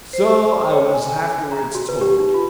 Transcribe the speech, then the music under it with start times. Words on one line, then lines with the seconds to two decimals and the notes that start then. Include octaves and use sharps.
So I was afterwards told.
0.13 C5
0.70 C#5
0.93 G#5
1.52 A#5
1.75 F#4
1.89 B4
2.01 G4
2.19 D#4
2.34 F4